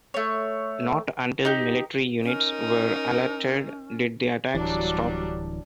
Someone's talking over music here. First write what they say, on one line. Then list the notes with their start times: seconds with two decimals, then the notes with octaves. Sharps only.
Not until military units were alerted did the attacks stop.
0.14 A3 C#5
1.45 D#4 G4
2.23 C#4 D#4 A#4
4.55 D1 A#1 E3 F#3 G3 D4